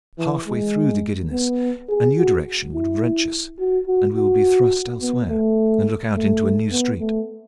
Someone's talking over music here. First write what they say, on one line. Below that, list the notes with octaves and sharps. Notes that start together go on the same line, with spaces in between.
Halfway through the giddiness, a new direction would wrench us and we would be thrust elsewhere, and look out into a new street.
E3
G#3
B3
G#4
F#4
E4
F#4
F#4
F#4
B3
A3
A3
B3
A3